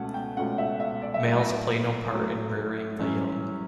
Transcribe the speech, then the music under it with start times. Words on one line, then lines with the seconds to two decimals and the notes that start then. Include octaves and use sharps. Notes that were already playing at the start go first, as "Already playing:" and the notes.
Males play no part in rearing the young.
Already playing: C#2 B2 A3 C#4 F#5 A5
0.14 G5
0.37 C#2 B2 A3 C#4 F#5
0.58 E5
0.80 E5
1.02 D5
1.14 E5
1.24 A2 F#3 A3 D5
2.12 A2 F#3 A3
2.99 F#2 E3 G3 C#4